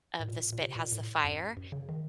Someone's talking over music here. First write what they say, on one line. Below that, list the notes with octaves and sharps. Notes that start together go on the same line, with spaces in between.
of the spit has the fire,
A2
A#2
A#2
C3
A#2
A2
F#2
F#2
C#3
D#3